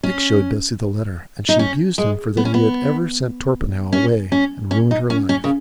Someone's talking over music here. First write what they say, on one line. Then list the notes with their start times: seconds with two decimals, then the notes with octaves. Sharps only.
Dick showed Bessie the letter, and she abused him for that he had ever sent Torpenhow away and ruined her life.
0.03 C#4
1.49 D#4
1.59 C#4
1.98 G#3
2.37 B3
2.45 C#4
2.54 B3
3.93 C#4
4.32 C#4
4.71 C#4
4.91 D#4
5.10 C#4
5.29 C#4
5.44 C#3